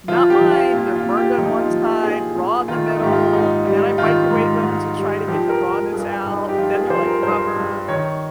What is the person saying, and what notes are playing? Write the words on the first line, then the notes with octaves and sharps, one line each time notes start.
not mine, they're burned on one side, raw in the middle, then I microwave 'em to try to get the rawness out, then they're, like, rubber,
F3 F4
G4
F3
F4
A#2 F4
F4
A#2
G4
F3 D#4
F4
F3
G4
A#2 G#4
A#2
D#3 F4
D#4
G#2 G4
F4
G#2 D#4
G3
D#3 F4
G#2
G#2
G3
F3 G4
A#4
F3
A#4
G2 G#4
G2 D#4
G4
F3 F4
G#4
F3 C5
A#4
G2 C5
G2
D#3 C#5